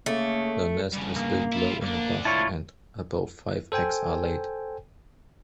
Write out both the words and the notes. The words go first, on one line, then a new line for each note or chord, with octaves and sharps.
The nest is built low in a bush and about five eggs are laid.
C#3 A3 A#3
G2 C#3
A#3
E4 F4
D2 A#3 D4
E4 F4 C#5 A5
A4 C5 G5 G#5